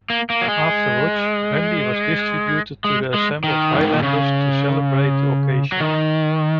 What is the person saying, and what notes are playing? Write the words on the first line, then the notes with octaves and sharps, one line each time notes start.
Afterwards brandy was distributed to the assembled highlanders to celebrate the occasion.
A#3
A#3
F#3
G#3
G#3
G#3
D#3
F#2
G#2
A#2
C#3
F#3
D#3